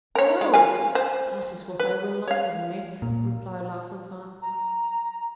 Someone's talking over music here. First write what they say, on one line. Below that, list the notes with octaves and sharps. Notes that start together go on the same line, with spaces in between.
"Oh! that is what I will not admit," replied La Fontaine.
A#4 C#5
G#3
A#4 F5 G#5
C5
B4
C#5 F5
A#2
A#5